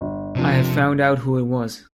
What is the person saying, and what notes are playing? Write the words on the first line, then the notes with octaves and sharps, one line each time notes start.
I have found out who it was.
G1
F2 C3 F3 D4 A#4
G1